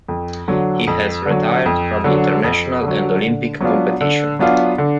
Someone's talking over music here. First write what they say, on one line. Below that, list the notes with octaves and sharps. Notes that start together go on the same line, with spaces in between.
He has retired from international and Olympic competition.
F2
D3 F#3
F2
D3
F#3
F2
D3 F#3
F2
D3 F#3
D3
F#3 B3 D4 F4
D3
F#3 B3 D4 F4
D3